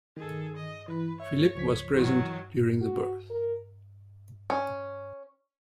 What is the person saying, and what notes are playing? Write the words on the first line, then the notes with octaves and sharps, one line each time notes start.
Phillippe was present during the birth.
D#3 G#4 A4
D#5
E3 B4
C#5 E5
C#2 F3 B6
D#3 E3 F#3
F#4
A#4
C#4